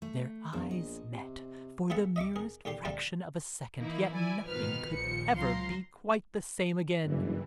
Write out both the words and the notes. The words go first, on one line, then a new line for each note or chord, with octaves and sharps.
Their eyes met, for the merest fraction of a second, yet nothing could ever be quite the same again.
A3
A#1 E2 F3
D#5
C3
B3 F4 G#4 E5 F#5 A5
D#5 E5 C#6 D6
G#4 A#4
D#2 D3 G4 C6
D2 D3 G3 F5 A5
E3 A#3 D#4 E4
E4 D5 G#5
G1 B2 D#3 F3 B4 F6
A#1 D#2 A#2 F3 C#7
C#2 F3 F#3 F5 A#5 C6
F#1 G2 E3